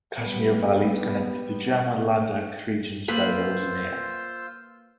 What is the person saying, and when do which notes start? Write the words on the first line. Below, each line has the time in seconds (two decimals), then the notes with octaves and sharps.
Kashmir valley is connected to Jammu and Ladakh regions by road and air.
0.16 G3 B3
3.08 A#3 F4 B4 C5 B5 E6